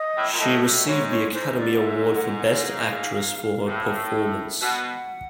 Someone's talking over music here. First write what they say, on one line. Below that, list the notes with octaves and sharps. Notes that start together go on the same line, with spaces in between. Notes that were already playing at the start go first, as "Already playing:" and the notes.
She received the Academy Award for Best Actress for her performance.
Already playing: D#5
A2
A#2
A2 D#5
A2
G#2 C#5
C#5
G#2 C5
D5
E5
F#5
F#5
F5
A2
B2 F#5